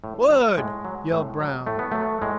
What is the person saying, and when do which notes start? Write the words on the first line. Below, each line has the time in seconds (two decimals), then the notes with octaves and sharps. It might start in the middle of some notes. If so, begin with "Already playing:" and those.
"Wood!" yelled Brown.
0.04 A2
0.30 F#3
0.57 A2 G#3
0.85 F#3
1.12 A2
1.40 F#3
1.67 A2 A3
1.79 B3
1.92 F#3 A3
2.21 A2 G#3